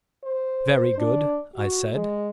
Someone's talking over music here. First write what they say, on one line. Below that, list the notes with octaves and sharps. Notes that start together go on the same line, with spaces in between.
"Very good," I said.
C5
D4
F#4
G#3